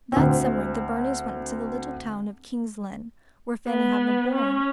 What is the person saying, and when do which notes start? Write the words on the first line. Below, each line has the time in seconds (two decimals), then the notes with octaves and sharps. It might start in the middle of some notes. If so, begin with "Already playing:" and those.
That summer the Burneys went to the little town of King's Lynn, where Fanny had been born.
0.12 D2 C4
3.67 B3
4.35 C#4